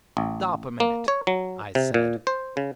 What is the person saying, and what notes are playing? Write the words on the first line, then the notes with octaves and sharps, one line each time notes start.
"Stop a minute," I said.
A1
A#3
C#5
F#3
C3
A#2
C5
C#3